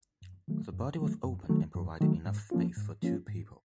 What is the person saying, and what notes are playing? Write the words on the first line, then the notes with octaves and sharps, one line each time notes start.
The body was open and provided enough space for two people.
F#2
D#3 F#3 A3
F#2
D#3 F#3 A3
F#2
D#3 F#3 A3
F#2
D#3 F#3 A3
G#2
F3 A#3 C#4 F4
G#2
F3 A#3 C#4 F4
G#2